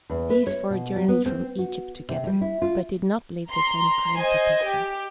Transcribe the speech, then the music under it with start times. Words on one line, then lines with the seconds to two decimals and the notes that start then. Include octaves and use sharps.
These four journeyed from "Egypt" together--but did not leave the same "kind protector."
0.10 E2
0.30 B4
0.47 C#5
0.70 B2
0.96 F#3
1.08 B3
1.26 C4
1.59 F#4
2.09 C3
2.27 G3
2.41 E4
2.62 F4
3.50 A#5 C6
4.19 C5 D#5 G#5
4.64 G4